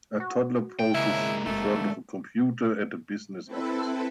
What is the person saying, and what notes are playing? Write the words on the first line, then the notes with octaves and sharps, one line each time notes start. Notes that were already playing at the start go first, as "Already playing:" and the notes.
A toddler poses in front of a computer at a business office.
F#4
G5
C#3 G#3 A#3 E4
F#1 A3
D3
C4 E4 A4 B4